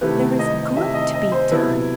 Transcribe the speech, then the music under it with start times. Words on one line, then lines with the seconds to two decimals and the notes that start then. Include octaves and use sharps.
There is good to be done!
0.01 C3 D#3 A3 E4 G4 B4
0.39 D#5
0.76 C3 D#3 A3 E4 G4 E5
0.94 D#5
1.14 D#5
1.32 C5
1.51 C3 F#3 B3 E4 A4 B4